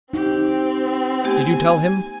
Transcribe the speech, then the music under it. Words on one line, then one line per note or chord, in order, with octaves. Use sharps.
Did you tell him?
C4 D#4 G4
A3 B3 G4 G#5